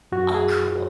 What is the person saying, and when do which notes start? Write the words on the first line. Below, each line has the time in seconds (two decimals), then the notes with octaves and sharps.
Oh, cool.
0.12 F#2 F#4
0.35 G#4